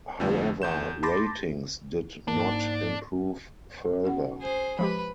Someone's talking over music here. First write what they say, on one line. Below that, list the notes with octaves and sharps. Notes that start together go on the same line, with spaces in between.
However, ratings did not improve further.
F2 D3 F3 A3
E2 G6 E7
A5 B5 C6 D6 A6 A#6
G#2 A#3 D4
C#4 F#4 F#5
G#4 C5
F3 G#3 G4 B4 B5